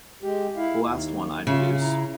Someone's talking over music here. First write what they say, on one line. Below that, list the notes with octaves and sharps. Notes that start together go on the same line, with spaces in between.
The last one, I deduce.
G#3 G4
E4 F5
D#2
C#3 F4 E5
E4 A#5